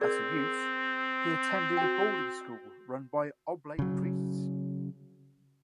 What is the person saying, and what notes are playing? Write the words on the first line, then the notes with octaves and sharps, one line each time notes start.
As a youth, he attended a boarding school run by Oblate priests.
C4 G#4 A#4 D5
F#4 G5
C#3 F#3